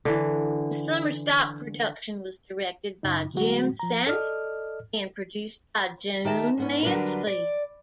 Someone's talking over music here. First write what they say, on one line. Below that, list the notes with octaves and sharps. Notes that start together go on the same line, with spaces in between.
The Summerstock production was directed by Jim Senft and produced by Joan Mansfield.
D3 E3
F#2 C#3 D#4
D3 F#3 G#3 A3 F#4
F3 A#5
A4 D5 D#5 F6
D#3 G4 E5 A5
G#2 B3 C#4
D3 F#3 G3 D4 A#4 B4
D5